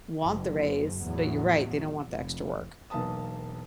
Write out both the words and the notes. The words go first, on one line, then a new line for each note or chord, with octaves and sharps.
want the raise, but you're right, they don't want the extra work.
F#1
E2 A2 F#3
F1
E1 B1 A#3 B4 A5 D#6